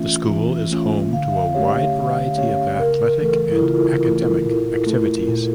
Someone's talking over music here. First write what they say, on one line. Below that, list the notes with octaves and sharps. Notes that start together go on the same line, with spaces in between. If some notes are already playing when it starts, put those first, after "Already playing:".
The school is home to a wide variety of athletic and academic activities.
Already playing: E3 A3 C#4 F4 E5
E3
A3 C#4 F4
D3 F5
E5
F5
A3 C#4 G4 C#5
F5
D3
A3 C#4 G4 C#5 F5
C#3 A#4
E3 A3 A4
E4
C#3 F4
E3 A3
A#2
A3 E4 A4
A#2